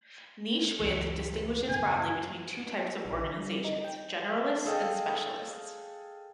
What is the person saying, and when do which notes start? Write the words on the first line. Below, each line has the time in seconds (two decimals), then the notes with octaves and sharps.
Niche width distinguishes broadly between two types of organizations: generalists and specialists.
0.79 C#2 F#2 E3
1.69 F#2 C#3 B3 G#5
3.05 A#1
3.19 D3
3.37 G3
3.64 D#4
3.84 G5
4.66 G#4 A4 D#5 F5 G5